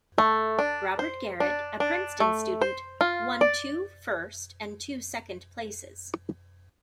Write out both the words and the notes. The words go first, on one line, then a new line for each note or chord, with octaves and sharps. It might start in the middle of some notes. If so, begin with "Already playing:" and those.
Robert Garrett, a Princeton student, won two first and two second places.
A3
D4
C5
D4
D4
A3
C5
F4
D5